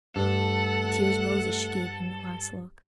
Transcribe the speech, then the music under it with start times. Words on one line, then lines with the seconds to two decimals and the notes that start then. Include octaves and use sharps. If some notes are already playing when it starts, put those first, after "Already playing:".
The tears rose as she gave him the last look.
0.16 G2 A3 A4 F#5